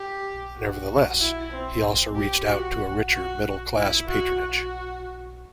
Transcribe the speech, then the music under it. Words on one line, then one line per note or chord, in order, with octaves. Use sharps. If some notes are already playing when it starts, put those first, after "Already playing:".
Nevertheless, he also reached out to a richer, middle-class patronage.
Already playing: G4
F#4
E4
C4
G4
F#4
F#4
E4
F#4
F#4